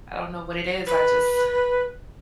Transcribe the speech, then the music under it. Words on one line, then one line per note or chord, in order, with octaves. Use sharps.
I don't know what it is. I just
B4